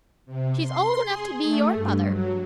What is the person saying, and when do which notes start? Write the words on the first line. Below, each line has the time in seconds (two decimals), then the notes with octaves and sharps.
She's old enough to be your mother.
0.26 C3
0.63 C6
1.02 G#4
1.42 A3
1.74 G2
2.06 F#3